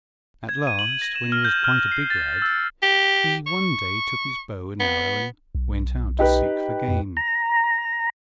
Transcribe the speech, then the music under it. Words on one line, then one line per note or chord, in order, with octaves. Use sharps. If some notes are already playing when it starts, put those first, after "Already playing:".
At last, when he was quite a big lad, he one day took his bow and arrow, and went out to seek for game.
G#6
D#7
F#7
A#6
E7
F6
G6
F6
C7
A6
E6
G4
C#6
B3
B1
D#4 G4 B4
F2
A#5